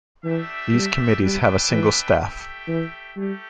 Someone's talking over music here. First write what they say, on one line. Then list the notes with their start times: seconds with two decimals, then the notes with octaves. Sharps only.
These committees have a single staff.
0.24 E3 A3 D4 G4 E5
0.73 G3
1.22 G3 D4 B4 E5 G5
1.71 E3
2.19 A3 G4 E5 G5
2.68 E3
3.16 G3 A3 G4